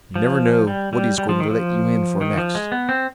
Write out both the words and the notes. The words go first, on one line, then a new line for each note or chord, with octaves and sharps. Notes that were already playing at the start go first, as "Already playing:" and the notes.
You never know what he's going to let you in for next.
F3
G3
G3
G3
F3
D#3
F3
D#3
F3
G#3
B3
C4